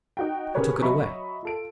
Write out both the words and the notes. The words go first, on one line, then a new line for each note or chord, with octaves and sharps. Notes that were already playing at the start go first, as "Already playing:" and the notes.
"Who took it away?"
D#4 F#4 G5
C#4 G4 G#4 A#4 B4 C#5
F#3 D#5 E5 B5 C#6
F4 A4 D7